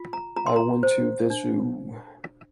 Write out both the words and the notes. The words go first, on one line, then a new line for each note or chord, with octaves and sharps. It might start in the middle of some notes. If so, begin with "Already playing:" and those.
I went to the zoo.
Already playing: F4
A#5
F4 A#5
C6
A#5
C5
D4